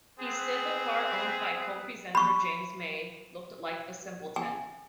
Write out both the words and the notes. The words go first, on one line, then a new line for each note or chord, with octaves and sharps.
He said the car owned by co-presenter James May looked "like a simpleton".
B3 C4 G#4
B5 C#6
G#5